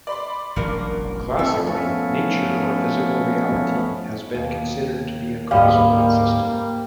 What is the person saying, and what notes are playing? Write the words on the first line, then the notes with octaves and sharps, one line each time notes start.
Classically, nature or physical reality has been considered to be a causal system.
D5 B5 C6
E1 A1 G2 F#3 A#3 A#4
F2 A3 E6
F3 A3 B3 C#4
D#2
D2 G#2 G3 A#3 D#5 F5